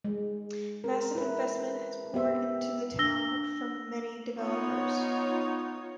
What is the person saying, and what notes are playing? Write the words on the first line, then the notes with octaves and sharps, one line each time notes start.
Massive investment has poured into the town from many developers.
G#3
A#4
E4 B4
B3 G4 E5
D4 E6 A#6 G7
B3 D#4 F4 C#5